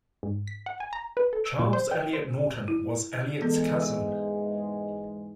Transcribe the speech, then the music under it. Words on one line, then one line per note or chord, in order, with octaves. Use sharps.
Charles Eliot Norton was Eliot's cousin.
G#2
B6
F#5
G#5
A#5
B4
A4
E6
A#2
C5
G5
C5
E4
E2 G#2 E3 G#3 B3 A4
E6